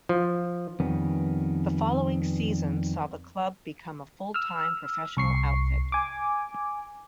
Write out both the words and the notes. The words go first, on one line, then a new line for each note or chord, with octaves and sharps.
The following season saw the club become a full time professional outfit.
F3
F2 D#3 G3 B3 C#4
E6 F6
C2 C#6 C7
G#5 D6